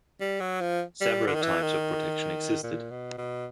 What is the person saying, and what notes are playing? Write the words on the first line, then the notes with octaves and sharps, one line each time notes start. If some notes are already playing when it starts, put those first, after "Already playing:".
Several types of protection existed.
G3
F#3
F3
G3
D3
D#3
E3
D#3
A#2
B2
B2